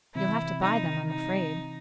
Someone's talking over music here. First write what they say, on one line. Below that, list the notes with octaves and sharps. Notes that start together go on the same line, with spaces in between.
"You'll have to buy them, I'm afraid."
C3 E3 C4 E4
D#4
D#4